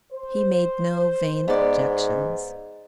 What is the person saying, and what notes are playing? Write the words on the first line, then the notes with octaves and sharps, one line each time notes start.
He made no vain objections.
C5
G#2 B3 D5